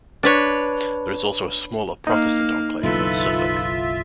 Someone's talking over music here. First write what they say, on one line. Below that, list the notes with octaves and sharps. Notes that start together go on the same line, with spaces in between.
There is also a smaller Protestant enclave at Suffolk.
D4 B4 C#5
A#3 D#4 F5
F#1 B1 E3 F4 A4 B4 E5